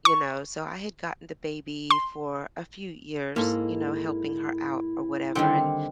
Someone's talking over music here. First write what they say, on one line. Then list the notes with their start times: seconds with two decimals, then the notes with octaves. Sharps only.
you know? So I had gotten the baby for a few years, you know, helping her out or whatever, and
0.05 C#6
1.91 C6
3.36 G#2 A#3 E4 A4
5.35 D3 D#3 G3 C4 F#5 G5